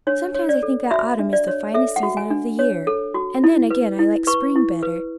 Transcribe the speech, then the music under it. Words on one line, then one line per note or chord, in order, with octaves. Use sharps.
"Sometimes I think that autumn is the finest season of the year, and then again I like spring better."
D4 C#5
C#5
D5
A4
F#4 E5
D4
D5
C#5
A4 E5
F#5
F#4
G#5
D4
C#5
A4
F#4
E4
B4
E4
B4 C#6
E4
B4